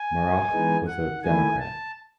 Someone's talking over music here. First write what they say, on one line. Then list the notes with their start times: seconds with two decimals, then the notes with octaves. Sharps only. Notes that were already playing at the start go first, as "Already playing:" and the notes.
Murrah was a Democrat.
Already playing: G#5
0.52 E3 G#3 B3 D#4
0.87 F#5
1.22 D#3 A3 E4 G#5
1.59 A5